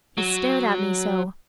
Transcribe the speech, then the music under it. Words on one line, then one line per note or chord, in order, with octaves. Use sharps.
He stared at me so.
F#3